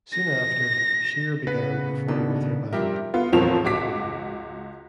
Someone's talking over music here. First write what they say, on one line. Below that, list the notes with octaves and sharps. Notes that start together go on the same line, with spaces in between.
Soon after, Shear began performing with her band, Family of Woman.
A#6
C#3 B3 B4 F#5
B2 D#3 D4 A4
C3 F3 G3 D4 G4 A#4 E5
B3 F4
G1 E2 F3 C4 A#4 F7
C#2 F#4 D6 B6